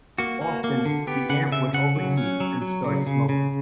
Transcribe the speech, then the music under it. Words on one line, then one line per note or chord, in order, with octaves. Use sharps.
Often, the amp would overheat and start smoking.
A#3 F#4
A#3
A#3
D3
B3 G4
C#3 F#5
C#3 E5
C#3 F#5
F#3
C#4
F#3
F#3
C#3
C#3
C#3